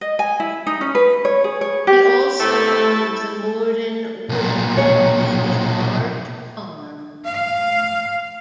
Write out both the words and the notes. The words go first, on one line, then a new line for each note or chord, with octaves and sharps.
He also owned the Morden Woollen Mill and a large farm.
D#5
G#5
E4
D#4
C#4
B4
C#5
G#4
C#5
G4
C3 A3 E4 A4
B1 A#2
G#4 C#5
F5